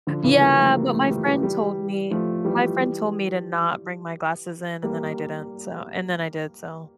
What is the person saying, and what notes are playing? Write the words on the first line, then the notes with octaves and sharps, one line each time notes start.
Yeah, but my friend told me my friend told me to not bring my glasses in and then I didn't so, and then I did. So
D3 F3
C#3 E3
G3 A#3
F3 A3
G3 A#3
F3 A3
E3 G3
E3 G3
E3 G3
F3 A3
E3 G3
E3 G3
G3 A#3